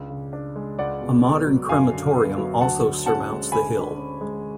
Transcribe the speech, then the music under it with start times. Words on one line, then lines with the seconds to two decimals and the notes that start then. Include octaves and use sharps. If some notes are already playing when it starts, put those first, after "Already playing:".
A modern crematorium also surmounts the hill.
Already playing: C#2 D4
0.10 C#3
0.33 D4
0.56 G#3
0.78 C#2 D5 F#5
1.01 B2
1.25 B3
1.47 F#3
1.69 F#2 F5 G#5
1.93 D3
2.15 B3
2.38 F#3
2.61 D2 F#5 A5
2.84 D3
3.06 C#4 F#5 A5
3.29 G#3
3.52 D2 G#5 B5
3.75 D3
3.98 C#4
4.21 G#3